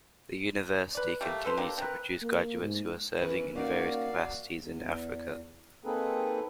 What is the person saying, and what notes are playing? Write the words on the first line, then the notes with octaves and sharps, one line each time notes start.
The university continues to produce graduates who are serving in various capacities in Africa.
B4 D5
G3 A3 A#3
A4 B4 C5
A#3 D4 G4 A4
C4 A#4 B4
A#3
G#2
E3 C#4 A#4 B4
A#3 C#4 D#4 F#4 D5 F5
E2
A#3 C4 D#4 G#4 A4 B4